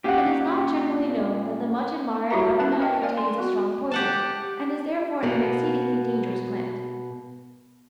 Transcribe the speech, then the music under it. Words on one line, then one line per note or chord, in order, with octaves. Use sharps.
It is not generally known that the much-admired laburnum contains a strong poison, and is therefore an exceedingly dangerous plant.
A#2 C#4 G4 F5 F#5
G3 E4 F#4 G4 E5 A#5
C#4 E4 B4 A5
A#4 D#5 G5 A5
A#4 D5 F5 G#5
C6
B3 F#4
G4 F#5 A5
B2 A#3 B3